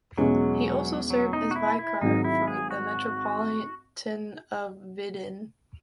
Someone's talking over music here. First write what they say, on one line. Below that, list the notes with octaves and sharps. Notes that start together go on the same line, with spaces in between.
He also served as vicar for the Metropolitan of Vidin.
E2 B2 F#3 G#3 C#4
F#3
D#4
F#4
E4
E4
G#1 G#2 F#3 D#4
E4
G#4
F#4